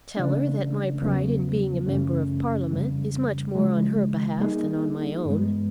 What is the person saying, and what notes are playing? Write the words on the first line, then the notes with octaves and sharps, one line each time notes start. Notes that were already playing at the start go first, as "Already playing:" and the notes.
Tell her that my pride in being a member of Parliament is much more on her behalf than on my own.
C#3 E3 A3 D4
E2 C#3 F#3 B3
F#2 C#3 E3 A3 C#4
F2 C#3 E3 G3
C#3 F3 G#3
G3 A#3 D#4 G#4
G2 E3 G#3 B3